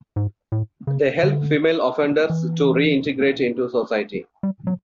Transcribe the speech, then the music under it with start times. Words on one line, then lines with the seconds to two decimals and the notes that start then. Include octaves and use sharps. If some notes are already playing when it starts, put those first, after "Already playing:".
They help female offenders to re-integrate into society.
0.16 G#2
0.52 A2
0.87 C#3
1.23 D3
2.30 E3
4.43 G3
4.67 F#3